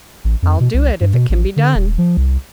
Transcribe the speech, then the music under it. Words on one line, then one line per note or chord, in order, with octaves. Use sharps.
"I'll do it--if it can be done."
A1
F2
B2
C2
G2
B2
A1
D3
D#1
F3
C2